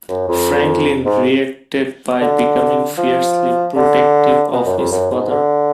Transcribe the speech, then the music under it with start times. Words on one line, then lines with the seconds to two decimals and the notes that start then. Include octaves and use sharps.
Franklin reacted by becoming fiercely protective of his father.
0.09 F#2
0.28 F2
1.05 G#2
2.21 D3
2.98 F3
3.76 D3
4.53 B2
4.66 F#2
4.79 F2
4.92 F#2
5.11 G#2
5.30 D3